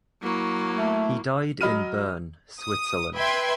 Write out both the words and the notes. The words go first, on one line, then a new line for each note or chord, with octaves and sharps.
He died in Bern, Switzerland.
F#3 A#3 E4 B5 C#6
A3
F#3 D#5 B5 F6 D#7
D#6
B4 E5 G5 C6 G#6